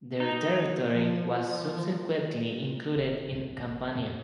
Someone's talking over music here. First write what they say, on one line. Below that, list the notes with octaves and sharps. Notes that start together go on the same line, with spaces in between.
Their territory was subsequently included in Campania.
D#4
F3
D#1
B1
G#1
F2